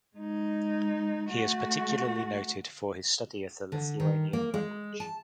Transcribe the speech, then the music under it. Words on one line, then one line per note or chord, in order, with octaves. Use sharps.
He is particularly noted for his study of the Lithuanian language.
G#3 D#4
A3 F#4
D3
D#3
A#3
G#3
A5